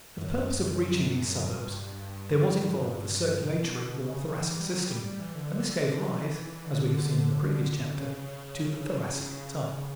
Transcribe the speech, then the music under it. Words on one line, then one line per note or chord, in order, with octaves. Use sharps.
For the purpose of reaching these suburbs there was involved the circulatory or Thoracic system, and this gave rise, as we have seen in the previous chapter, to the Thoracic type.
F#2
G2
A#2
G2
B2
B2
C#3
E3
G3
F#3
G3
G3
E3
D3
E3
D3
C#3